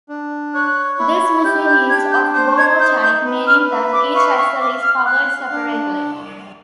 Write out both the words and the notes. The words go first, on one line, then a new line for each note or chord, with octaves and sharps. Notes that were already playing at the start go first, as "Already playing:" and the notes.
This machine is of Bo-Bo type, meaning that each axle is powered separately.
D4
C#5 F#6
E4
G4 G6
G6
D4 G#6
G6
C5 G6
G#6
D#4 G6
G6
B4
F6
E5
D6
F5 C#6
C#6
F5 D6
F6
F5 F#6
D4